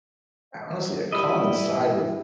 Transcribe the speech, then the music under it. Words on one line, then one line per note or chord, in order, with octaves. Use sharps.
a, honestly, a common side with
G3 E4 D#5
E3